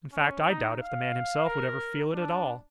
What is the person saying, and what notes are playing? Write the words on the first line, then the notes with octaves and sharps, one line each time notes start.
In fact, I doubt if the man himself would ever feel it, at all.
C#4
D#4
F5
A#4
D4